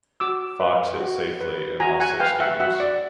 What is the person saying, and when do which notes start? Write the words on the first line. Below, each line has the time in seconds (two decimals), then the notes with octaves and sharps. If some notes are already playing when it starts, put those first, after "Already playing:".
Fox hit safely in all six games.
0.20 F#4 D6 E6
0.60 B4
1.00 F#4
1.41 B4
1.80 F#4 G#5 A#5
2.00 F#5 G#5
2.20 B4 F5 G5
2.40 E5 F#5
2.60 F#4 E5 F#5
2.80 D5